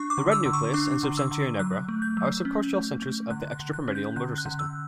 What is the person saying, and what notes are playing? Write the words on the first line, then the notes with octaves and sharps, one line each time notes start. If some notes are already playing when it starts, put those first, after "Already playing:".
The red nucleus and substantia nigra are subcortical centers of the extrapyramidal motor system.
Already playing: D4 C#6
D6
D3
E6
D3
C#6
D4 D6
D3
E6
D3
F#3 F#6
A3
G6
F#3
C#4
A3
A3
D3 F#6
F#6
D3
F#6
C#4
G6
D3 F#6
F#6
D3
E6